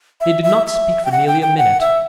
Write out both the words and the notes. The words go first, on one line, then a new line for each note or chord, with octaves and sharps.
They did not speak for nearly a minute.
E5
E5
E5
G5
F#5
G5
G5
F#5
E5